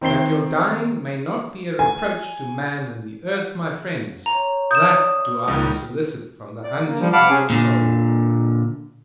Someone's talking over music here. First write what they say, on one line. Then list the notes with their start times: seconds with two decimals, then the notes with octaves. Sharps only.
That your dying may not be a reproach to man and the earth, my friends: that do I solicit from the honey of your soul.
0.01 D#3 C4 G5 C7 G7
1.79 G#5
3.27 F5 F#5
4.26 C5 C#5 A#5
4.71 C#4 D5 F5 D#6 G6 E7
5.48 C#2 D#3
6.64 D5
6.87 A#3
7.00 F3 G3
7.13 F5 F#5 A5 B5 D6 F6
7.30 C#4 G#4
7.50 A#2 D3